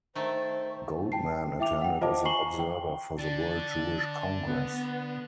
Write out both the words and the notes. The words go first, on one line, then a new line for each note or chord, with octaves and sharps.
Goldman attended as an observer for the World Jewish Congress.
D#3 A3 C5
G5 A5 C7
E4 E5 G5 D6 F7
F#5 G5
F4 C5 D#5 F5 A5 D6
G#5 A#5 C#6 C7 F#7 G7
G5
D3 D5 A5
B3